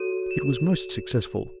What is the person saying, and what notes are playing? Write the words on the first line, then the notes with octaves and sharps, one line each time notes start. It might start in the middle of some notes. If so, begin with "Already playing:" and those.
It was most successful.
Already playing: F#4 A4 C#5 D#7
E7